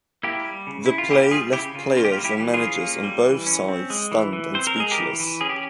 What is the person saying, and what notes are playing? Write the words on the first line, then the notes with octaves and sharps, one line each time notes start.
The play left players and managers on both sides stunned and speechless.
A#3 E4 G4
G3
C#3
C#3 E4
F4
A#3 E4 G4
G4
G3 F4 G#4
C#3 E4 G4
C#3 F4
A#3 F4
G4
F4
G3
E4 G4
E3
F4 G#4
C#4
A#3
G3
E3
C#4
C4
G#3
E3
E3
C4 C5
A#4
G#3 G#4
G4 A#4
E3
E3
C#4 G#4
G4